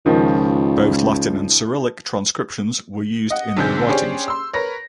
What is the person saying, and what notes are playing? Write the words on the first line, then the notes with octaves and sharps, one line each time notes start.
Both Latin and Cyrillic transcriptions were used in their writings.
C#2 D#3 F3
D#5 F#5
B1 G#2 D3 C4 G#4 G6
C#4 D4 G4 G#4 C5 C#5
C6 E6
A#4 B4 C#5 A#6